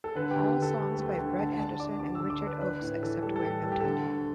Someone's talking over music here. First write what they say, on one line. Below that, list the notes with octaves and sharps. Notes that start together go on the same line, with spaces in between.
All songs by Brett Anderson and Richard Oakes except where noted.
A4
D3 B4
G4
D3
G4
D3
A4
D2
A3
D3
D3 A5
D4 A5
D4 D6
D2 D6
D3 E6
D6
D4
B4
D4 B4
A2
E3 A4
G3 A4
A4
A2 G4
G3 A4
G4
D3 A4
D2